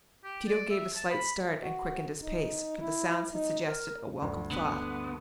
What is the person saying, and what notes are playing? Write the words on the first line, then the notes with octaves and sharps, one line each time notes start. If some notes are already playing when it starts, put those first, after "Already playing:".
Tito gave a slight start and quickened his pace, for the sounds had suggested a welcome thought.
G4
D5
E5
A5
B5
F#4
D#4
E4
D#4
A#4
D2 G2
D3 B3